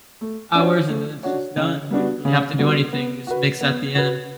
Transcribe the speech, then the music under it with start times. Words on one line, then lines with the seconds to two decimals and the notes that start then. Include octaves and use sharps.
hours, and then it's just done. You don't really have to do anything. You just mix at the end.
0.21 A3
0.55 D4 F#4 C#5
0.89 A3
1.23 D4 F#4 C#5
1.57 C#3
1.91 G3 B3 D4 F#4
2.25 C#3
2.59 G3 B3 D4 F#4
2.93 B3
3.27 F#4 B4
3.61 B3
3.95 F#4 B4